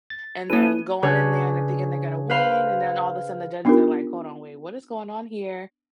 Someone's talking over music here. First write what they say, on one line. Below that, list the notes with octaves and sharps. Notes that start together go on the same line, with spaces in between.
and then going in there and they're thinking they're gonna win, and then all of a sudden the judges are like, "Hold on, wait, what is going on here?
A6
A#3 C#4 E4 A4 B4 D#7
C#3 D4 B4 C#5
B4 C5 F5 B5
B3 D4 D#4 F4 G4 A#4